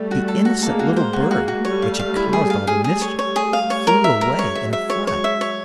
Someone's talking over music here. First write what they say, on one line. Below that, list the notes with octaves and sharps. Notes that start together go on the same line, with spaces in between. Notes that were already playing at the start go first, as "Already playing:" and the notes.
The innocent little bird which had caused all the mischief, flew away in a fright!
Already playing: G3 A3
F#4
A4
F#4
G#3 A#3 A4
F#4
C5
G#3 A#3 F#4
F#4
F#4
G3 A3 C#5
F5
F5
E4
G#4
F5
G3 A3 G#4
G#4
C#5
C#5
G#4
F5
G3 A3 C#5
A#4
E5
F#3 G#3 A#4
C#5
E5
E5
C#5
C#5
E5
C#5